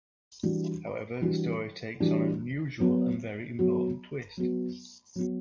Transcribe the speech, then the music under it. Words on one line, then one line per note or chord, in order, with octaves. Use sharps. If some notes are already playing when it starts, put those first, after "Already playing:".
However, the story takes on an unusual and very important twist.
E3 G3 D4 F#4
E3 G3 D4 F#4
E3 G3 D4 F#4
F#3 B3 F#4
F#3 B3 F#4
F#3 B3 F#4
F#3 B3 F#4